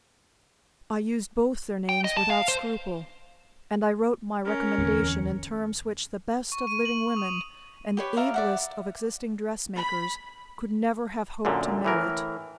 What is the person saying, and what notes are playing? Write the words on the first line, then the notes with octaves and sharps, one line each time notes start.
I used both their names without scruple; and I wrote my recommendation in terms which the best of living women and the ablest of existing dressmakers could never have hoped to merit.
G5
D#5
A5
F5
C5
C#4 A#4
D1 E2 C4
C#6
D#7
F#7
D#6
G4 B4 C#5
A#4 D5 E5 F5
D5 E5 F#5
B5
F#2 A#2 D3
A2 E3 A#4